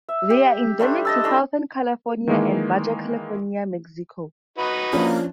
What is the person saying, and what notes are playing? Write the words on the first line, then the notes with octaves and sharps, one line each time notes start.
They are endemic to southern California and Baja California, Mexico.
E5
G4
G3 A3 D4 C5
D#5 A5 E6
A3 D4 E4
D#3 E3 G#3 A#3
D#4 F#4 B4
F3 A#3 C#4 D4